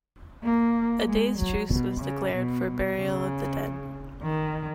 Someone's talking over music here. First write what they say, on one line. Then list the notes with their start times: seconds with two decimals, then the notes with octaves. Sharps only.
A day's truce was declared for burial of the dead.
0.43 A#3
1.07 G#3
1.38 F#3
1.70 B2
2.01 C#3
2.33 B2
2.97 C#3
4.23 D#3